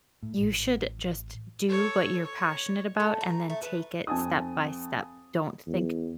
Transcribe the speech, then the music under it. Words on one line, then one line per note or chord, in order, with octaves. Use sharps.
You should just do what you're passionate about, and then take it step by step. Don't think
A2
A1
A4 C#5
C#5
A3
A#5
A3
B4
F2 G#5 A5 D#6
E2